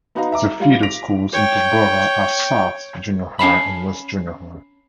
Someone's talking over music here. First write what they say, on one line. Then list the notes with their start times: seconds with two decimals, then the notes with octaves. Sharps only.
The feeder schools into Borah are South Junior High and West Junior High.
0.15 B3 D#4 F#4 B4 F5 A#5
0.32 E5 A#5 D6
0.60 G3 F4
0.83 A#6 B6 D7 F7
1.33 C#5 G5
3.39 C#4 F5 A5 B5